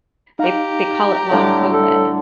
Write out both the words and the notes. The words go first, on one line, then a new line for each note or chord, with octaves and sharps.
they they call it Long Covid.
D#4 G4 F5 A#5
A2 D3 G3 C#5 D6
A4